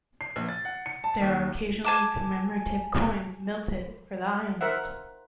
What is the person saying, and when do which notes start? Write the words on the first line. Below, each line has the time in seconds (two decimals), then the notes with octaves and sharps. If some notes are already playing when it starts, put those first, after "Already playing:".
There are occasionally commemorative coins minted for the island.
0.21 C7
0.36 A#1
0.49 A6
0.65 F#5
0.86 C#7
1.04 A5
1.22 D#2
1.84 G#5 A5 D6
4.61 A#4 C5 E5 F#5